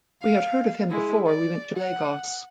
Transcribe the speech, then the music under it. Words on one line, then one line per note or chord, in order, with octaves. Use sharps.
We had heard of him before we went to Lagos.
F5
G#3 E4
D5
F#5